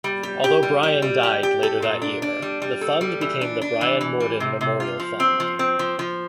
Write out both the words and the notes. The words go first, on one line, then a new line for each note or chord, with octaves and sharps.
Although Brian died later that year, the fund became the Brian Morden Memorial Fund.
G3
G4
G4
G3
G4
G3
G4
G4
A4
A#2
D4
D4
G3
G3
A4
G3
E3
D4
D4
E3
E3
G3
C3
C3
F4
F3
C4
F3
C4
F3
F3